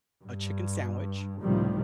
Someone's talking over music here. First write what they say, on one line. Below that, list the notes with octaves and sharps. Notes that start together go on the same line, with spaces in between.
a chicken sandwich.
G2
C#2 A2 C3 D#3 F3 G3